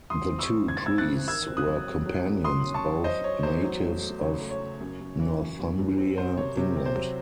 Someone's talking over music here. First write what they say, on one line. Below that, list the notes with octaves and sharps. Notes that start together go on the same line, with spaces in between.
The two priests were companions, both natives of Northumbria, England.
E3 C6 D#6
C4
C#6 E6
G#2
G#2 G#6
A6
C4 E6 G#6
F#6 A6
E3
D#3 E6 G#6
C4
D#6 F#6
F#3
C4
F#3
F#2
F#3 C6 D#6
C#4
A5 C#6
F#3
C#4 C5 D#5
C#4 C#5
E2 C5
F#3
A3
A3
C#3 C#5
A3
C#5
C#3
F#2
F#2
E3
F#2
F#2
F#2
C4
C4 C5
C3 C#5
C3 C#5
C4
C5
F#3